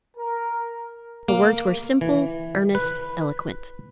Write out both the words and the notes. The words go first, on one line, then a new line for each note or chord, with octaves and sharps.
The words were simple, earnest, eloquent.
A#4
A#3
E3
B4